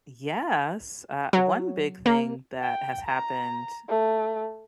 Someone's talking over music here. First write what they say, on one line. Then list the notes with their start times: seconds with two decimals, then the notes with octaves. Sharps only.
yes, uh, one big thing that has happened,
1.33 F#3
2.06 A#3
2.61 G5
3.07 A#5
3.88 A3